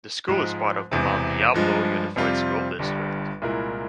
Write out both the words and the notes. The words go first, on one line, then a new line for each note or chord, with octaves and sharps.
The school is part of the Mount Diablo Unified School District.
G#2 F3 G#3
E1 E2 C3
G2 F3 G#3
F2 C3 G3 C4 F4
G1 G2 G3
C2 A#2 G#3 E4 A#4